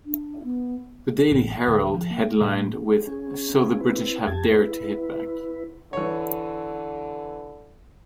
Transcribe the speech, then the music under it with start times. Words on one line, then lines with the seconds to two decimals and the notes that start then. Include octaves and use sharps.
The "Daily Herald" headlined with "So the British Have Dared to Hit Back".
0.06 D4
0.43 B3
1.31 A1
1.68 D1
1.94 F3
2.11 A#3
2.41 A2
3.07 C#4 G#4
3.81 C4 E4 B4
4.27 F2 G4 A5 G#6
4.50 E4 B4
5.93 D3 E3 C#5